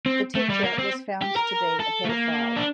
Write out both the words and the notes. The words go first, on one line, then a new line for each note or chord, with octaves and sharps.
The teacher was found to be a paedophile.
C4
A3
G3
A#3
C4
G4
A#4
A4
A3
A#3
D4